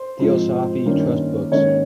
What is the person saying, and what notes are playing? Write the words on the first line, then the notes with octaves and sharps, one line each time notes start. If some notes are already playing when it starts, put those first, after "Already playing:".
Theosophy Trust Books.
Already playing: C5
G#2 F3 C4
G2 D#3 A#3 C#4
G#2 D#3 A#3 C#4 C#5